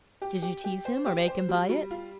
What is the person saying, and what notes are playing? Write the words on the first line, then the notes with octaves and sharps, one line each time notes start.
"Did you tease him, or make him buy it?"
G4
G4
G4
C5
G4
C5
G3
G3
F4